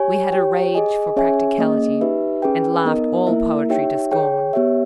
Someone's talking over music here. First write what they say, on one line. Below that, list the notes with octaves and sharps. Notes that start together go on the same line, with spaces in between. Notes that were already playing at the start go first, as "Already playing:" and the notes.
We had a rage for practicality, and laughed all poetry to scorn.
Already playing: G4 C#5 G#5
G4 C#5 G5
G#4 D#5 G#5
C#4 G#4 C#5 E5 G#5
A#3 C#4 G#4 D#5
D#4 G4 B4 E5
C#4 G#4 B4 G5
B3 D#4 A#4 D#5
A#3 E4 A#4 E5
D#4 G4 C#5 E5 G5
G#4 C#5 G5
B3 G4 C#5 E5